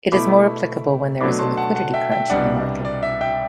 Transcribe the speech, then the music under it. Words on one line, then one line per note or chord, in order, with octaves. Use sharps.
It is more applicable when there is a liquidity crunch in the market.
B2 A3 E4 B5 D6
B2 F#3 A3 D4 B5 D6
A5 C6
F#5 A5
F#5 A5
E5 G5
E5 G5
C2 B2 G3 D4 D5 F#5
D5
E5
E5 G5